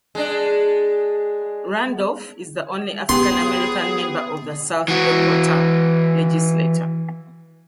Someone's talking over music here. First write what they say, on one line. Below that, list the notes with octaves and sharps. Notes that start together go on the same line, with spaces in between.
Randolph is the only African American member of the South Dakota Legislature.
G#3 D4
B3 G4 G#4 C6
E3 F#4